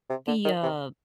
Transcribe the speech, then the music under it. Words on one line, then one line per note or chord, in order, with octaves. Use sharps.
the, uh,
C3
D3
D#3
C3